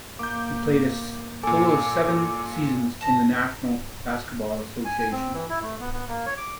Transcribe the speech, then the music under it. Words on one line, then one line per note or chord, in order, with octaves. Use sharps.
He played a total of seven seasons in the National Basketball Association.
A#3 D6 G6
A#2 A4 G#5 D6
A5 A#5
G#5
G#5
C4
E3
E4
A3
B3
B3
A#3
C#5
D6